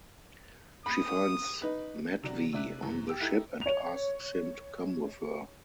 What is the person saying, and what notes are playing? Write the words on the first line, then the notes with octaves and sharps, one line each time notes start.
She finds Matvey on the ship and asks him to come with her.
B5 D#6
D#4 B4
C3 F#3 D4
C3 D4 D5 E5 F#6 D#7
F#2 C3 E3
G4 E6 D7
D#4 E4 G4 A4
C#5 F7